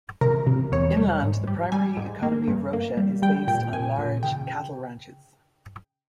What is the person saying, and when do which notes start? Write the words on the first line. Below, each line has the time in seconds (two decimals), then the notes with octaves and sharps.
Inland, the primary economy of Rocha is based on large cattle ranches.
0.21 C3 A#4
0.47 C3
0.72 E2 C#5
0.97 G3
1.22 G#2
1.47 G3
1.72 G3 G#5
1.97 G#2
2.23 A#3
2.48 G2
2.73 A#3
2.97 G3
3.22 G3 G5
3.48 A#2 G5
3.73 A#2 G#5
3.99 A#2
4.23 C#3 G5